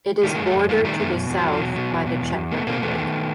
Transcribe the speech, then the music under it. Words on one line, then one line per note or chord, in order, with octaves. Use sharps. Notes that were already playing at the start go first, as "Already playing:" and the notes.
It is bordered to the south by the Czech Republic.
D#3 G3 A3
F#2 G#3 A#3
G3 A3
F#2 F#3 G#3
D#3 G#3 A#3
D#3 G3 A3
F#2 A3 B3
B2
E2
F#3
E2
F3
B2 F#3
B2
E2
B2
E2
E2
B2 A3 B3
B2 A#3 C4
E2 A3 B3
D#3